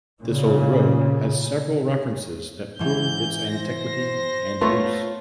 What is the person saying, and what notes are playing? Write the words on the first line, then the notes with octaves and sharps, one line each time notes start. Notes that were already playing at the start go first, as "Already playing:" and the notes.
This old road has several references that prove its antiquity and use.
A#2 C#3
G#2 E3 G6
C5 A#6
A3 B3 F4 C#5 C6